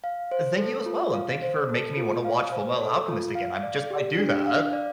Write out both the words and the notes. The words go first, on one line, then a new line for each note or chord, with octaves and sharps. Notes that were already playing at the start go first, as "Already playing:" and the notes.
Thank you as well and thank you for making me wanna watch Fullmetal Alchemist again, I just might do that.
F5
C5
A4
F4
F5
C5
A4
F4
F5
C5
A4
F4
F5
D5
G4
D4
F5
D5